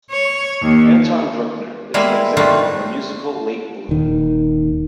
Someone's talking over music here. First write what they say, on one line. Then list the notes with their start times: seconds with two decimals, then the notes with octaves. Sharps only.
Anton Bruckner is an example of a musical late bloomer.
0.11 C#5
0.62 D#2
1.94 G3 G#3 A#3 B3 E4
2.37 G3 A3 D4 D#4 F4
3.89 D#1 D#3